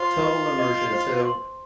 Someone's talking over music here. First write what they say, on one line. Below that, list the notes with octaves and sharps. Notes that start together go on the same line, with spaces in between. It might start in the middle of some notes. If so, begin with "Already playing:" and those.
Total immersion so,
Already playing: F4 C5
D#5
D#5
C5
C6